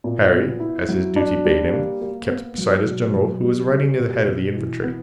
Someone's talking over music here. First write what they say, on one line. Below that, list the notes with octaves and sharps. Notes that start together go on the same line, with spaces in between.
Harry, as his duty bade him, kept beside his general, who was riding near the head of the infantry.
A#2
B3
E4
F#3
D4
G3
A#3
A#3
B3
F#3
B2
F#3
G3
G3
B2
B2
E3
B3